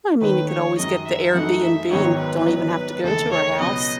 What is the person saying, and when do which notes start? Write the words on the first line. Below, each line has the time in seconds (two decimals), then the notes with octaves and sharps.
I mean, you could always get the Airbnb and don't even have to go to her house.
0.21 D#2 D#3 A3 C#4 B4
0.50 C#5
0.77 F#2 D#3 G#3 D#5
1.06 E5
1.34 F#2 E3 A3 D#4 F#5
1.63 E5
1.90 G#1 G#2 D#3 F#3 B3 C#5
2.19 B4
2.47 G#1 G#2 F#3 B3
3.03 E1 D#2 C#3 E3 A3 A4
3.32 C#5
3.59 C#2 B2 F#3 B3 D#5